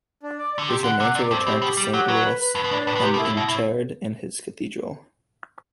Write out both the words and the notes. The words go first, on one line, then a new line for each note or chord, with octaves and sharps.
His remains were returned to Saint Louis, and interred in his cathedral.
D4
D5
D3 D5
C3 G4
D3 F#5
C3 F#5
C3 D5
G2 C4
A2 G4
B2 G4
G3 G4
F#3 F#5
F#3 B4
B4
B4
G2 B4
B2
A2 D4
A2 B4
B2
C3 G4
B2
E4
A2
B2 E4
A2 E4